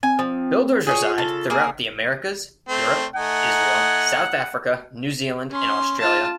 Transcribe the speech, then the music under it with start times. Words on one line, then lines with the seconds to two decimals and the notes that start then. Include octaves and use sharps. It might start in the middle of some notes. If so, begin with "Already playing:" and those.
Builders reside throughout the Americas, Europe, Israel, South Africa, New Zealand and Australia.
0.03 C4 G#5
0.19 F3
0.87 F4 G#4 A4 C#5
1.18 C#3 A4
1.50 A#3 G#4 A#4
2.69 A3 C4
3.16 A3 D#4 F#5 G#5
5.50 C#4 C6
5.99 F4 A5